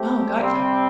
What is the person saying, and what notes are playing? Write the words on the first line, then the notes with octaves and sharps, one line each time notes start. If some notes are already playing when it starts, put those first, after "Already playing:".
Oh, gotcha.
Already playing: A3 C4 G4
C3 G3 C4